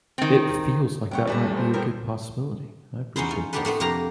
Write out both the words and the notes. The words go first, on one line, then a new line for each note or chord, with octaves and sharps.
it feels like that might be a good possibility. I appreciate this.
D#3 C4
C2 F#2 C#5 F#5 G5 C#6
A#2 G3 A3 B4 A5 A#5
C5
B3 A4 A#4 C5 G5
E2 C#4 D#4 C5 B5
C#4 F4
A#3 B3 D4 G4 A4 B4
A2 A3 B3 C4
F2 C3 A#3 G4 F5 A#5